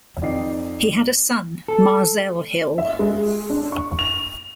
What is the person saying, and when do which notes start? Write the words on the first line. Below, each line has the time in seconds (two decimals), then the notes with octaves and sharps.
He had a son, Marzell Hill.
0.22 F2 F3 D#4 D5 G5 C7
1.68 A4
2.78 E5
2.99 G#3
3.50 D4
3.72 C#6
3.99 F7